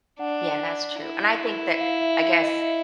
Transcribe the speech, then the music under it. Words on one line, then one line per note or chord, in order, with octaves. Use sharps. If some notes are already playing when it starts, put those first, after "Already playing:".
Yeah, that's true. And I think that, I guess,
D4 F#5
E4
F5
E5
E5
D#5
E5